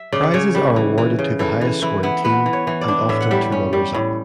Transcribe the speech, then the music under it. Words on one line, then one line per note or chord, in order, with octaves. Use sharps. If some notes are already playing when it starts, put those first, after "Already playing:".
Prizes are awarded to the highest scoring team, and often to runners-up.
Already playing: E5
C#3 D5
C#3 C#5
G3
E3
E3
C#3
E3 A4
E3
E3 E4
B3 E4
B3 B4
E3
C#5
E3
D5
D4
A2 E5
F#5
G3 E5
C#4
G3
A2